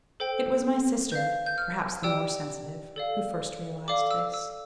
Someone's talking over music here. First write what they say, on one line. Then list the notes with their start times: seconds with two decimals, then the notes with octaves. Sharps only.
It was my sister, perhaps the more sensitive, who first realized this.
0.20 A4 C5 G5
1.12 B4 F5 G6
1.46 G6
1.58 F6
2.03 G4 D5 G5 E6
2.96 A4 D5 F5
3.88 A4 D5 F5 D6
4.11 E6
4.34 E6